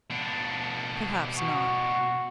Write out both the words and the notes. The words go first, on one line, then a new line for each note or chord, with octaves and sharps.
'Perhaps not.
B2 D4
F#4